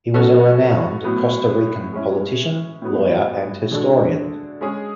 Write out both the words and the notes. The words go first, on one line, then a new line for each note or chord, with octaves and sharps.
He was a renowned Costa Rican politician, lawyer, and historian.
B2 F#3 C#4 F#4 A4
A2 F#3 B3
G#3 C#4 E4
A2 F#3 B3
D3 G#3 D4 F#4 A4
G#3 C#4 G#4